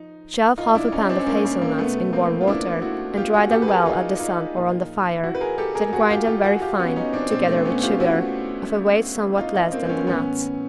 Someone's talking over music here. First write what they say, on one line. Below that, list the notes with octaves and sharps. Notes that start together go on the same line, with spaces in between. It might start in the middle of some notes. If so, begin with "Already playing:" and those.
Shell half a pound of hazelnuts in warm water and dry them well at the sun or on the fire, then grind them very fine, together with sugar, of a weight somewhat less than the nuts.
Already playing: F3 D#4
D#4 F4
D4 E4
C#4 D#4
C4 D4
C#4
A#3 C4
A#3
A#3
B2 A3 B3
A#3 C4
F4
D4 E4
E4 F#4
F4 G4
F#4 G#4
G4 A4
B4
G#4 A#4
D#4 F4
D#4 F4
A#2 F3
E4 F#4
B4
G#4 A#4
G4 A4
G#4 A#4
F#4 G#4
F4 G4
F4 G4
F#4 G#4
F4 G4
B3 C#4
C#4 D#4
C4 D4
B2 C4 D4
A3
C4
B3 C#4
F4 G4
E4 F#4
D#4 F4
D#4 F4
A#3 C4
C4
B3 C#4
A2 E3 B3 C#4